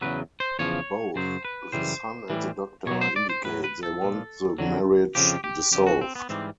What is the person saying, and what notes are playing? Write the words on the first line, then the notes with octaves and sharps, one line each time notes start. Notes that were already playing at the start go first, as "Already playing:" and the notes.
Both the son and the doctor indicate they want the marriage dissolved.
E2 C#3 F#3 B4
C5
E2 C#3 F3 C#5
F#2 C#3 F#3 C5
B4
F#2 C#3 E3 G3 C5
A2 E3 G3
B2 F#3 C#5
C5
D5
C5
A2 F#3 B4
B4
A4
A#2 F3
F2 D3 F#3
F2 C#3 F3 G4
G4
F2 D3 F3 G4
F#4
C4
B3
G#2 E3 G3 C4